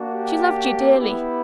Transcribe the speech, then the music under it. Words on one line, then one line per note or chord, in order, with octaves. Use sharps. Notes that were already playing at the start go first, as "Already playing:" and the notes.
She loved yo' dearly.
Already playing: A#3 D4 F#4
G4
B3 E4 G4